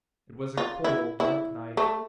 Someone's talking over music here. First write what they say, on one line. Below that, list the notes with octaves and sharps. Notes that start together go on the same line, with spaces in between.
It was a cold, dark night.
F4
E4
E4
A3